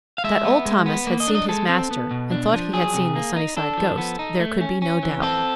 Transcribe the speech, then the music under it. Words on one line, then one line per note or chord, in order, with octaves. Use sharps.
That old Thomas had seen his master, and thought he had seen the Sunnyside ghost, there could be no doubt.
F5
G#3 E5
B3
G#3
B3
A#3
D#5
D4
D#5
G#3 A4
C4
B3
B2
D4
F3
F#3 G#4
C3
A#3
D#4
D4 A4
F3
B3
D#4
A3
C#4
C#4
E3
C4 A4